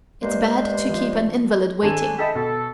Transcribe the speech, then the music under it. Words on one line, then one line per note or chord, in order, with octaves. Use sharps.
It's bad to keep an invalid waiting.
G2 G#3 A#3 C5
F3
G#1 D4 A4 G#5 E7
A4 D#5 E5 G5 A5 B5
B2 A4